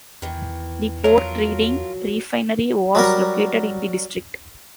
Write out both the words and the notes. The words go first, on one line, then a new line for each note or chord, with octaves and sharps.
The Port Reading Refinery was located in the district.
E2 D#3 E3
F3 F#3 F4 F#4 A#4 C#5
F#3 G3 A#4